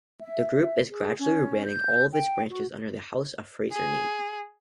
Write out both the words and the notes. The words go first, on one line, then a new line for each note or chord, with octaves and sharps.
The group is gradually rebranding all its branches under the House of Fraser name.
E5
G#4
C#4
G6
G5
F#4
G#4